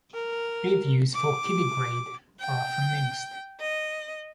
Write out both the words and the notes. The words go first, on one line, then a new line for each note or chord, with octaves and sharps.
Reviews for "Kiddy Grade" are often mixed.
A#4
D6
G5
D#5